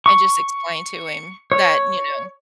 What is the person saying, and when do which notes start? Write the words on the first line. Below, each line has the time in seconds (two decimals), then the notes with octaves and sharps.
and just explain to him that, you know
0.06 C#6
1.52 C#5